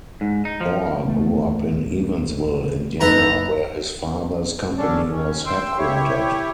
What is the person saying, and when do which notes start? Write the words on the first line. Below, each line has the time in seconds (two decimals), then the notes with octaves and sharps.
Orr grew up in Evansville, Indiana where his father's company was headquartered.
0.21 G#2
0.45 D#4
0.61 F3
1.05 D1 E3 A3
3.01 F#2 F#3 A#3 D#4 E4 A4 B4 A#5
4.78 D3 C#4 D4 A4
5.12 D#3 C#4
5.46 G5 C6 E6
5.77 E4 G4 C#5